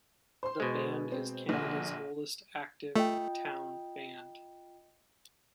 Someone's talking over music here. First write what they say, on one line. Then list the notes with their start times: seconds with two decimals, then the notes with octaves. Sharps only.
The band is Canada's oldest active town band.
0.43 C5 C6
0.60 B2 G#3
1.12 C4
1.49 A#1 D3
2.96 A3 F4 D#5 G5